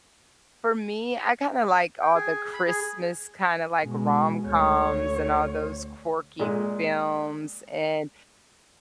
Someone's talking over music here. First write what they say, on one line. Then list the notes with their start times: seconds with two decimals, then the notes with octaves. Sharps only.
for me, I kinda like all the Christmas kinda like rom-coms and all those quirky films and,
2.01 G5
2.14 G#4
2.53 B5
2.67 G#4
3.81 B2 G#3
4.48 D2 C#5
6.39 A#2 G#3